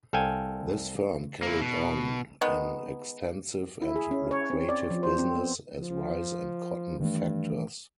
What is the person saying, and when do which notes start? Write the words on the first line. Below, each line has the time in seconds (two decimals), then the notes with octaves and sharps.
This firm carried on an extensive and lucrative business as rice and cotton factors.
0.13 C2 A4 F5 G5 G#5
1.43 A#3 E4
1.61 B2
2.41 D#3 G#3 B3
3.82 E4
3.96 G#4
4.11 C#4
4.31 C#5
4.50 C4
4.69 D5
4.90 F3
5.03 C5
5.18 C4
5.35 B3
5.79 F3
7.00 G2 D#3 E3 A3